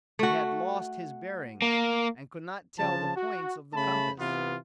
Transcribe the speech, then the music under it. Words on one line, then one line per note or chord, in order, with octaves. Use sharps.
He had lost his bearings and could not tell the points of the compass.
A3 F#4
A#3
C#3 F3 A5
F#4
C#3 A3 A5 B5
C3 E3 B3 F4